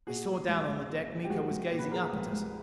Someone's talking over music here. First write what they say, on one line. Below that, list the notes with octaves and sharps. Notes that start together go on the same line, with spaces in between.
I saw down on the deck. Miko was gazing up at us.
A#2 F#4 G#4
F3
C2
C2
A#2
F3
G4
C2 F#4 G#4
C2
A#2
B4
F3 G#4 A#4
C2
C2